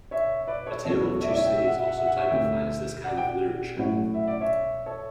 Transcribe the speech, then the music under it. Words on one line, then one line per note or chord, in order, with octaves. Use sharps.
"A Tale of Two Cities" also typifies this kind of literature.
C#5 E5
E5
B4 D5
A4 C#5
E2 C#3 F#3 A4 C#5
C#5 E5
D5
C#5 E5
E5 G5
E5
F#5
E5
F#5
E5
F#5
C#5 E5
D2 D3 G3 E5 G5
D5 F#5
G5
D5 F#5
A2 F#3 C#4 F#4
E5
D5
C#5 E5
A4 C#5